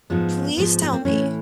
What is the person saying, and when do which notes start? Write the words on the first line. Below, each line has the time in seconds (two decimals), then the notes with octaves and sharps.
Please tell me.
0.10 G#2 F3 G#3 B3
0.57 G#2 F3 G#3
0.82 B3
0.93 C4
1.05 A2 E3 A3 C#4